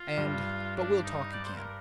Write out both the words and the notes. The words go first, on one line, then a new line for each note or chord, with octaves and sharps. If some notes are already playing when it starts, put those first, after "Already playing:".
And--but we'll talk again.
Already playing: F4
G2
D4
D#4
D5
C5
A#4